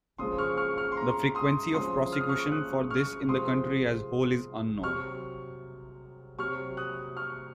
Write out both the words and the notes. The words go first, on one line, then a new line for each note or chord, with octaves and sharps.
The frequency of prosecutions for this in the country as whole is unknown.
C#3 F3 G#3 C6 D#6
C#6 F6
C#6 F6
C#6 F6
C6
A#5 C#6
C6 D#6
C#3 F3 G#3 C6 D#6
F6
D#6
C#6 F6
D#6 F#6
C#6 F6
C3 F3 G#3 C6 D#6
C3 F#3 C#6 F6
C3 F#3 C#6 F6
D#6 F#6
C#6 F6